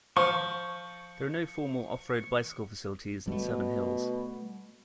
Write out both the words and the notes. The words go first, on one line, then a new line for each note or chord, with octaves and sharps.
There are no formal off-road bicycle facilities in Seven Hills.
F3 C#6
B2 G3 A3